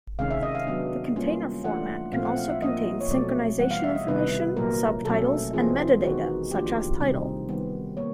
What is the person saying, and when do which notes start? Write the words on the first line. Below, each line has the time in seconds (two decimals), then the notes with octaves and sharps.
The container format can also contain synchronization information, subtitles, and metadata such as title.
0.19 C3 D#3 G#3 C#4 F5
0.31 E5
0.43 D#5
0.55 F5
0.67 F#3 B3 D4
1.16 G3 A#3 C#4 F4
1.64 E3 A3 D4 F4 F#5
2.13 A#2 F3 A3 C4 F4 F5
2.25 F#5
2.38 F5
2.50 E5
2.62 F3 A#3 D4 F4 D#5
3.01 C#5
3.11 B2 F#3 A3 C4 D5
3.59 E3 G3 B3 F#5
3.71 F5
3.84 E5
3.95 D#5
4.08 C3 D#3 G3 B3 E4 B4
4.57 A#2 F#3 A#3 A#4
5.05 B2 F#3 A3 C#4 A4
5.53 E3 G#3 C4 F4 G#4
6.03 D#3 G#3 B3 D#4 F#4
6.51 F3 A#3 D4 F4 G4
7.00 C3 D#3 G3 C4 D#4
7.49 D#3 G3 B3
7.97 A#3 C#5